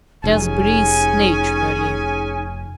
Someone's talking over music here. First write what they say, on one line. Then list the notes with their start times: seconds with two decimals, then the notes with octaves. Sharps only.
"Just breathe naturally."
0.24 F1 C#4 D#4 G#4 G#5